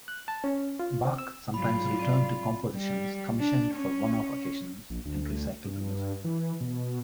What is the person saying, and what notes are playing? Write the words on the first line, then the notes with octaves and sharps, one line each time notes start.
Bach sometimes returned to compositions commissioned for one-off occasions and recycled the music.
F#6
A5
C#4
F4
C4
E6
G#2 F#3 G3 F4 B5
C4 D5
G3
D4
C#4
A#1
D2
G2
E3
B2